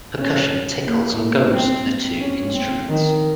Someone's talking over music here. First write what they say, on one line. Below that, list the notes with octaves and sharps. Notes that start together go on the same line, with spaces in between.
Percussion tickles and goads the two instruments.
C#4
A#3
C4
C#4
C4
D#3